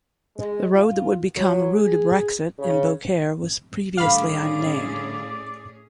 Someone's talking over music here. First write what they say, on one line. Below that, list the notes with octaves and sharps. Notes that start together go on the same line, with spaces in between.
The road that would become "Rue du Brexit" in Beaucaire was previously unnamed.
G#3
F4
F#3
G#4
C#3
A2 D3 G3 C#4 G#4 D5 F5 B5